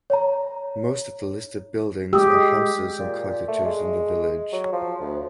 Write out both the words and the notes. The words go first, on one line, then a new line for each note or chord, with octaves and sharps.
Most of the listed buildings are houses and cottages in the village.
C#5 A#5
G#3 G4 D#6 E6
A#2
A3
G#3
F#3
F3
D2